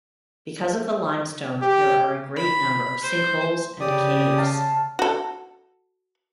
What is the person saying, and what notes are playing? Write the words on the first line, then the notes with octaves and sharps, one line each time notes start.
Because of the limestone there are a great number of sinkholes and caves.
G4
B5
C5
C#3 G4 D5 D#6
F5 A5
F#4 A4